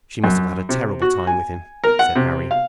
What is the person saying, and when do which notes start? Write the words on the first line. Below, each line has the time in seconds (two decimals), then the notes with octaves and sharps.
"She must have had a terrible time with him," said Harry.
0.24 F#2
0.69 C3
1.02 F#4
1.27 G#5
1.84 A#4
1.99 F#5
2.15 C3
2.51 F5